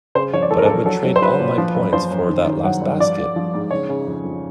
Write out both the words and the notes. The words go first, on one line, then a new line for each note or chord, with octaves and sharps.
But I would trade all my points for that last basket.
C#3 C5
F3 C#5
D5
E2 A4
A#4
F3 A4
F#3 A4
F#3
C5
F#3 B4
A#2
F3
F#2
F3 C5
F#2
D#3
D#3
F#3 F#5
G2
F3 D5
F3
F3
G#2
C#3 C#5
C#3
F2
F2